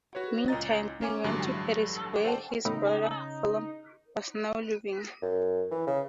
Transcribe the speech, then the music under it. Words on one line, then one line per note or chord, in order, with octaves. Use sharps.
Meantime, he went to Paris where his brother Wilhelm was now living.
F#4 B4 C#5
C#2 A#2 C#4 D#5 A#5 A6
A#3 C#4 G#5 D6
A1 G2 D3 F#3 G#3
A4 C5 D5 F#5 G5 A5
A2 C#3 D#4
F#2
E3
C#3